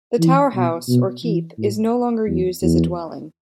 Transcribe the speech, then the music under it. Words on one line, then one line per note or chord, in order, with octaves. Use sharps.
The tower house, or keep, is no longer used as a dwelling.
E3
B2
B2
E3
A2
E2
E2